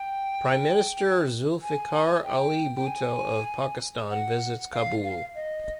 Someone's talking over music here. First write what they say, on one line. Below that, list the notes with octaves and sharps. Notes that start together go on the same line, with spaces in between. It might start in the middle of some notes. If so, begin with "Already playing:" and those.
Prime Minister Zulfikar Ali Bhutto of Pakistan visits Kabul.
Already playing: G5
G#5
G5
G5
G#5
F#5
F5
F5
D#5